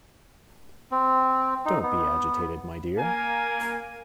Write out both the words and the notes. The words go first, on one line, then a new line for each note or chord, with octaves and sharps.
Don't be agitated, my dear.
C4
D#4
B3
A#3 G#5